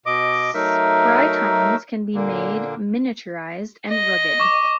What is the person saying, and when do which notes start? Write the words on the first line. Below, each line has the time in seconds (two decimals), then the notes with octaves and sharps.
Sprytrons can be made miniaturized and rugged.
0.06 B2 D#5 D6
0.54 F#3 A3 D#4 A#4 E5
2.14 A#2 D3 A#3
3.90 D#5
4.40 C#6 D6 D#7